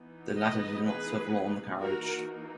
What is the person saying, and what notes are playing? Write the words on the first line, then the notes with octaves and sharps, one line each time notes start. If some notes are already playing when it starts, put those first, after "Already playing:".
The ladder did not swivel on the carriage.
Already playing: E3 B3 D#4
B4 D#5
G#4 B4
E3 A#3 D#4 F#4 A#4